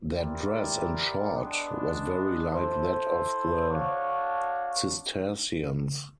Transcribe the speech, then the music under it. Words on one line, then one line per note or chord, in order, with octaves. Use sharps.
Their dress in short was very like that of the Cistercians.
C4 E4 G4 A#4 D5
G#3 B3 D4
E4 A4 C5
D4 F#4 A4 C#5 F5